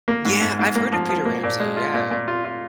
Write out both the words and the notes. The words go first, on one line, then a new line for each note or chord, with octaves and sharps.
Yeah, I've heard of Peter Ramsey, yeah.
A#3
G#2
G#2
G#2
A#3
F3
F3
A#3
A#2
G#3
F4
A#2
A#2
F4
F4